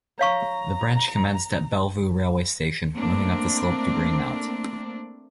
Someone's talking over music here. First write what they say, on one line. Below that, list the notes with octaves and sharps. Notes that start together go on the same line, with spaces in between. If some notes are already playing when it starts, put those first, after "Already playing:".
The Branch commenced at Bellevue Railway Station, moving up the slope to Greenmount.
C#5 F5 A#5 C#6
A3 A#3 C4 D4